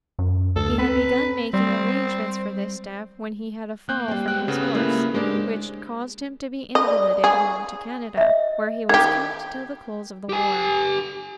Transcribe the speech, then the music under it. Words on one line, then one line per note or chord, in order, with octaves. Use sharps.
He had begun making arrangements for this step, when he had a fall from his horse, which caused him to be invalided home to Canada, where he was kept till the close of the war.
F#2
D2 A4
C4 B4
G3 C4
A#3 F#6 G6
G3 C4
B3 G5 F#6
C#3 B3 G4 A4
A#3 E4
G#3 D4 G4 A#4 C5
D#5
D5
G#4 C#6
D#5 E5
D#3 G4 G#6
G4 G#5